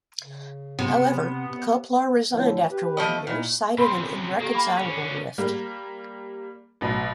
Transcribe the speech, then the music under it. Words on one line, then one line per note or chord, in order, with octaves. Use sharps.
However, Koplar resigned after one year, citing an irreconcilable rift.
C#3
C3 B3
A2 D3 F3
G4 B4
F3 A3 D#5
A#2 D#4 E4
C#3 C4 B5 C6
A#3 G4 A4
G5 B5 D6
D3 C#4
G3 A#3
A1 B2 F#3